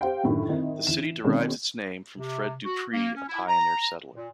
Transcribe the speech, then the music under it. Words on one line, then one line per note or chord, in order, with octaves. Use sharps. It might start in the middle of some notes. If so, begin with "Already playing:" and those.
The city derives its name from Fred Dupris, a pioneer settler.
G4 C5 F5 G5
F#2 A2 D3 D#3
D#3 C4 D#4 E4
E3 E7
B2 D#3 G#3 C4 C#4
C3
F#4
A#3
C#4
E4
A#5
A#2